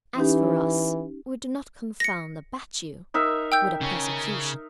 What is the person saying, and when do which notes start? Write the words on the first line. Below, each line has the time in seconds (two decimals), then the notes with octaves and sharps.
As for us, we do not confound a battue with a persecution.
0.17 E3 C#4 D#4 G4
2.00 A#6 C#7
3.14 D#4 A#4 E5
3.52 G5 E6 G6
3.81 C#3 C#4